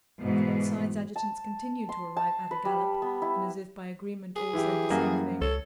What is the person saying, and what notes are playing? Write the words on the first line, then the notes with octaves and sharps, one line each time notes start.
From all sides adjutants continued to arrive at a gallop and as if by agreement all said the same thing.
G#2 B2 E3
A5
C6
A5
B4
G3
B3
E4
G#4
E3 E4 G4
F#2 G3 A#3
C#2 A4 C#5